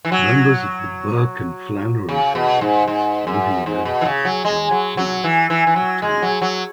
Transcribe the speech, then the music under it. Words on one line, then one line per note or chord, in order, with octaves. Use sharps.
Members of the Burke and Flannery families, living relatives of John King attended.
E3
F#3
C#3
B2
G#2
G#2
F#2
G#2
B2
E3
C#3
F#3
G#3
F#3
F#3
E3
E3
E3
F#3
G#3
F#3
F#3